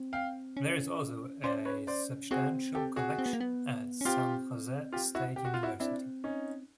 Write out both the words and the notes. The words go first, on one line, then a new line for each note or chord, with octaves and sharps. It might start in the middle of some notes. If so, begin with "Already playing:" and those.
There is also a substantial collection at San Jose State University.
Already playing: C4
F5 G5
C#4
C#4 C5 D5
B4 C#5
C5 D5
C4 F#4 G#4
G4 A4
F#4 G#4
C4
B3
A#3
B3
C#4
C4 F4 G4
F4 G4
E4 F#4
G4
F#4
F4
E4 F#4
C4 D4 E4
C#4 D#4